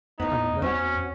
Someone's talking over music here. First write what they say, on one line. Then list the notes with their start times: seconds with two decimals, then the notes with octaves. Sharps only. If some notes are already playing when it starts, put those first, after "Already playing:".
"I know that."
0.20 E2 A2 B3 D#4
0.62 E2 C4 C#4 F#4